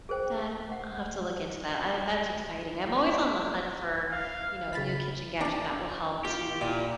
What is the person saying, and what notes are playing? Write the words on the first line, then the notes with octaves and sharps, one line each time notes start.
That I'll have to look into that. I that's exciting. I'm always on the hunt for, you know, a new kitchen gadget that will help to
G#4 A#4 C5 G5
F#5
F5
C#3 B5 A6 B6
D4 A5
F4 G4
A#2 E4 D5